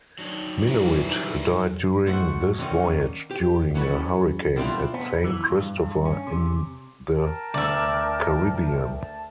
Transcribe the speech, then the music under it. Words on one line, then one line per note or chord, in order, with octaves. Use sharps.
Minuit died during this voyage during a hurricane at Saint Christopher in the Caribbean.
F#3 D4 D#4
E3 G3 A#4
G#2 A3 F#4 F#5
D3 D#3 G3 A#3 C#4 D#4
G4
E3 F#3 C#4 F#4 A4 B4
B2 G3 C4 D4 E4 F4
B3
E3
G2
G2
C#4
C3
A#4 G5 A5
D2 D5 E5
A5